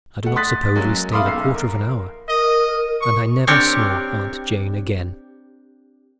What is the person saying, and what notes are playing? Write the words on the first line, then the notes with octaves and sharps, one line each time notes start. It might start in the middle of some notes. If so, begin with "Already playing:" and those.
I do not suppose we stayed a quarter of an hour; and I never saw Aunt Jane again.'
A3 F#5
C6 D#6 F#6 A6 B6
F#3 G#3 A#3 C#4
E5 F5 B5 C6 D6 D#6
B1 E6 C7
A#4
A#4 D#5
C#6
C4 D4 G4 A#4 C#5